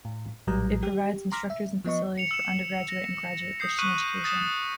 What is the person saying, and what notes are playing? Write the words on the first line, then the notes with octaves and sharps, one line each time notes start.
It provides instructors and facilities for undergraduate and graduate Christian education.
A2
A#1 A2 F#3 G3 A#5
G4
A#5 C6 D6 F6 A#6 B6
E5
F3 B3 D#5 C#6
C#7 F7
E6 E7
A#6
D#6 G6 C7
C#6 F6 F#6 B6 D#7 F#7
D#6 A6 B6 E7